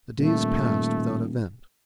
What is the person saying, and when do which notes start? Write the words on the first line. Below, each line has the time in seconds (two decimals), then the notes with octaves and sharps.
The days passed without event.
0.18 D#1 A#2 A3